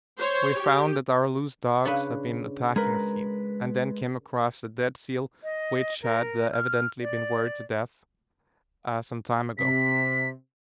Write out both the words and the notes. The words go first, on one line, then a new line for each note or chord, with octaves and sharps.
We found that our loose dogs had been attacking a seal, and then came across a dead seal which had evidently been worried to death some time ago.
C5 C#5
G4
C#3 D4 B4
G#3 A#4 B4
D#5
A#4
F6
D5
C3 B6